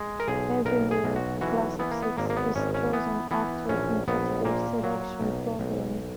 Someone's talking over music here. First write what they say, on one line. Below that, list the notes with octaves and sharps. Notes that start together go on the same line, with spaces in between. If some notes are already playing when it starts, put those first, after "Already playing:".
Every year a class of six is chosen after a competitive selection program.
Already playing: G#3
A#4
B1 G#4
B1 A#4
G#4
B1
F#4
E3 F#4
E3 B3
A#3
B3
G#1 A#3
A#3
B3
G#1 C#4
C#4
E3 B3
E3 B3
A#1 C#4
A#1 B3
A#2 A#3
F#3
B1
B1